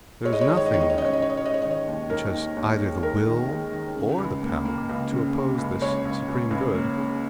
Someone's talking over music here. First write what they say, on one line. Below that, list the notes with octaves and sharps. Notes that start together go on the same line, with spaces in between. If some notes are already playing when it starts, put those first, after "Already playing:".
'There is nothing, then, which has either the will or the power to oppose this supreme good.'
G#3 C#5
D#5
C#5
D#3 D#5
C#5
D#5
D#3 C#5
D#5
C#5
C#4 D#5
C#5
D#5
C#4 C#5
D#5
C#5
G#3 D#5
C#5
D#3 D#5
C#5
D#2
D#2 A#4
D#2
D#2
G#3
D#2 A#4
D#3
G#3
D#3
C#3
C#2
A#3
A#3
C#2
C#3
A#3
C#2
C#2 C#5
C#2
C#2
C#2
A#3
C#3